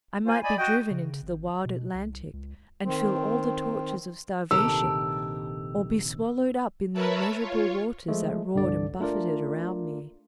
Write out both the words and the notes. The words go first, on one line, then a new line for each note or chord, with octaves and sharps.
I might be driven into the wide Atlantic and feel all the tortures of starvation or be swallowed up in the immeasurable waters that roared and buffeted around me.
F4 C5 G#5
D5 D#5 G#5 B5
F#4 D#5 G5
C#3
G#1
B2
C2
C#2
D#3 C4
A#1 C3 D#3 G4 A4 A#4 E6
A#4 B4 C#5 E5 A5 B5
F4 C#5
F3 G#3 A3
C2 G2 D3 D5
A3 D4 F4 A#4 D5